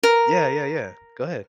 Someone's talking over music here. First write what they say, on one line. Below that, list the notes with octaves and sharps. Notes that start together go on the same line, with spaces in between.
Yeah, yeah, yeah. Go ahead.
A#4